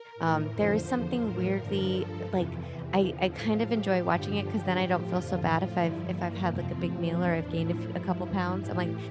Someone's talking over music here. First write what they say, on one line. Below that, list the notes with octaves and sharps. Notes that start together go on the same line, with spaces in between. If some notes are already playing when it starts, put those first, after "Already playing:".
um, there is something weirdly, like, I I kind of enjoy watching it 'cause then I don't feel so bad if I've if I've had, like, a big meal or I've gained a f a couple pounds, I'm like,
Already playing: A#4
A2 E3
F2 D3 F3 C5
E2 D3 F3
A2 F3 A#4
G2 D3 F3 A#4
G2 F3 A4
F2 C3 E3
E2 C3 E3
E2 D3 F3
A2 F3 F4
A2 F3 G4
G2 D3 F3
G2 D3 F3 G4
A2 F3
F2 D3 F3 F4
A2 F3
G2 D3 F3 E4
G2 E3 A#3
F2 C3 F3 C4
A2 F3
E2 E3 D4
A2 F3 E4
G2 F3
G2 E3
A2 E3 G4